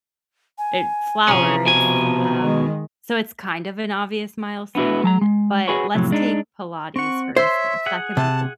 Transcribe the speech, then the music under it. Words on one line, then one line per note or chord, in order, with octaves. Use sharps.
it flowers, um, so it's, kind of, an obvious milestone, but let's take Pilates for instance. That could be con
G#5
C3 F3 C#4 G#4 A#5
B2 G#5
D#3 G#3
B3 D4 E4 F#4 B4
F#3 A5 A#5
G#3
F#4 G#4 B4 C#5
F2 A2 C3 F#3
G#3 D4 D#4
C4 F#5 C#6
C5 C#5 E5 C6
G#4 F#5
C3 A5